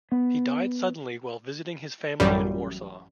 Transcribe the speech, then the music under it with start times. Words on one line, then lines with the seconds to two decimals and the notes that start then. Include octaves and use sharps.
He died suddenly while visiting his family in Warsaw.
0.12 B3
2.20 A1 F#2 G3